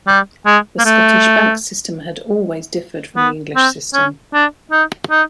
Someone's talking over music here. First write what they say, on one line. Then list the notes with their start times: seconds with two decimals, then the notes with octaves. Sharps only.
The Scottish bank system had always differed from the English system.
0.07 G3
0.46 G#3
0.78 A#3
0.85 A3
3.16 B3
3.56 C4
3.94 C#4
4.33 D4
4.71 D#4
5.10 D#4